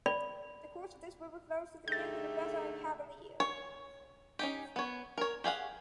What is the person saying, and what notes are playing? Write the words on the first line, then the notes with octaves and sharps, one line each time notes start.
The course of this river flows through the cantons of Vezza and Cavelier.
D5 B5
D3 A3 D#4 G4 G#4 E5 G6 A6
C#5
C#4 D#4 G4
B3 C#5
A#4 C#5
G4 G#4 F5 F#5